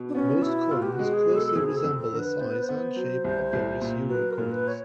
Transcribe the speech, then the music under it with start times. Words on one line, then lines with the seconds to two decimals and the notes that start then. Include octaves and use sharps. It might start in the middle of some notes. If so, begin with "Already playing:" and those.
Most coins closely resemble the size and shape of various euro coins.
Already playing: B2
0.09 D4
0.15 B3 C#4
0.42 B2 E4
0.71 B2 F4
0.82 G4
0.93 F#4
0.99 G#3
1.13 G#4
1.27 B2
1.35 A4
1.47 A4
1.56 F2 G#4
1.68 G#4
1.77 A4
1.84 F2
1.98 A4
2.12 D3 A#4
2.19 B4
2.40 B3 C5
2.51 B4
2.61 C5
2.69 B3
2.96 F#3
3.24 C2
3.53 C2
3.81 A#2
4.09 F#3 B4
4.31 A#4
4.38 A#2
4.52 B4
4.68 C#5